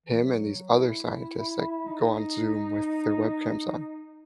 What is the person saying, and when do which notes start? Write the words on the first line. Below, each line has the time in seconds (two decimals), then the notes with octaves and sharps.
him and these other scientists, like, go on Zoom with their webcams on
0.06 E3
0.18 F#3
0.75 E4
1.87 D#4